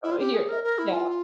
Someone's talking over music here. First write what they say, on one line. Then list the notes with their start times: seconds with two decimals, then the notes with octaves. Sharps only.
Ah, here, yeah,
0.04 E4
0.12 F4
0.19 G4
0.34 G#4
0.49 A#4
0.64 A#4
0.79 E4
0.93 F4